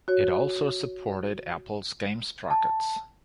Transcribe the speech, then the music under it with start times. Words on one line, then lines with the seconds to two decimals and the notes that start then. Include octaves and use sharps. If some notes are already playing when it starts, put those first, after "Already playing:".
It also supported Apple's Game Sprockets.
0.08 F#4 C#5
2.51 A5